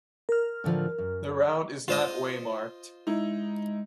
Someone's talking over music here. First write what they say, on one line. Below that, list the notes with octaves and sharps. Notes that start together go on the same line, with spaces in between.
The route is not waymarked.
A#4 F6
A2 D3 F3
F#2
F4 C5 D#5
G#3 D#4 E4